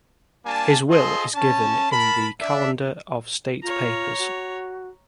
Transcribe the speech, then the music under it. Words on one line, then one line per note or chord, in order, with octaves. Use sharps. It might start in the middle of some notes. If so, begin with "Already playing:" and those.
His will is given in the "Calendar of State Papers".
G3 A#3 D4 G#5 A5
F4 G#4 A4 C5 D#5 C6
C#4 A5
A#4 A5 B5
D4 E5
F4 C#5 A#5
F#4